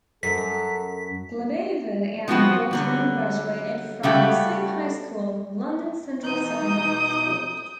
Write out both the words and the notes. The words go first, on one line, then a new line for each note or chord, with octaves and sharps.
Glebova and Baldwin graduated from the same high school, London Central Secondary School.
F#2 A4 B6
F3 B3 C4 F#4 B4
D3 F#3 G3
C#3 G3 A3 F#4 G4
B2 E3 D#4 D#6 G6